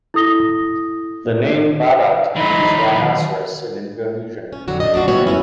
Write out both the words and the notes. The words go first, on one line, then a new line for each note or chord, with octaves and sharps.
The name "Badak" means rhinoceros in Indonesian.
E4 A4 D#6 A#6 G7
E3 F#3 D#4 B5 C6
C#4
F2 D3 F#3 F#4
D4 D#5
A3 D4 F4 F#4
G3 B3 C#4 F#4 C#5 E5
F#2 C#4 E4